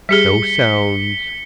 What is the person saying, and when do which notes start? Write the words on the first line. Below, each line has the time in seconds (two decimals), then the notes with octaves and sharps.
No sound.
0.09 G3 G4 G#4 B6 C#7 G7